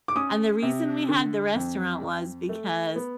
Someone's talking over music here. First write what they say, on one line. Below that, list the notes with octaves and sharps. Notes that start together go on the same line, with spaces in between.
and the reason we had the restaurant was because
D6
C#4 D#6
C3
D3
F2
F2
A3
B3